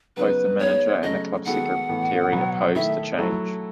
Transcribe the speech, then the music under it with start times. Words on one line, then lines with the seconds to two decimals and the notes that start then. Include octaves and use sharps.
Both the manager and the club secretary opposed the change.
0.16 C#3 F#3 B3 D#4 B4
0.59 G#3 B3 D#4 C#5
1.03 C#3 F#3 A3 C#4 D#5
1.46 D#3 G#3 B3 F#4 A4 F#5
1.89 A2 E3 B3
2.32 B2 F#3 B3
2.75 D#3 A3 E4 A4 E5
3.18 F#3 A3 E4 A4